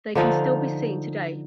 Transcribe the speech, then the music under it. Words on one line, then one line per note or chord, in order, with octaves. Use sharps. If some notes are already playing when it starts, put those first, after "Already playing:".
They still can be seen today.
D3 F3 D#4